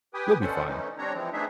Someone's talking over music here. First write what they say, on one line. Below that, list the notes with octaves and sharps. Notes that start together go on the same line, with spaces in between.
"You'll be fine."
G4 B4 G5 G#5 D#6
B2 D3 C#4 A4 C5 F#5
D3 E3 A3 C#4 D#4
G3 C4 D4 C#5 A#5
E3 F3 G#3 C4
A3 B3 D4 D#4 G#4 E5